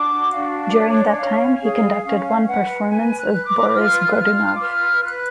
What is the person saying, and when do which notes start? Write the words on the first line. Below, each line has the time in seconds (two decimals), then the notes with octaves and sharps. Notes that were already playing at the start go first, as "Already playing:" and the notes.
During that time, he conducted one performance of "Boris Godunov".
Already playing: D4 F#4 D6
0.31 D4 F5
0.74 C#5 D5
1.18 C#4 F5
1.60 G#4 F5
2.03 C#4 F5
2.47 B4 F#5
2.89 B4 G#5
3.18 F#6
3.32 B4
3.46 D6
3.74 F4 F6
4.10 F#6
4.19 F4 F6
4.53 D6
4.61 B4 F6
5.03 B4 F#6